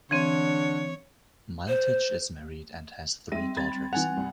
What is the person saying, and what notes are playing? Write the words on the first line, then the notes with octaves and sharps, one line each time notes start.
Miletich is married and has three daughters.
D3 E3 C4 C#5
C5
G3 G#3 C4 E5 D#7
B5 G#6 A6
E3 F#5 G#5 F7
C2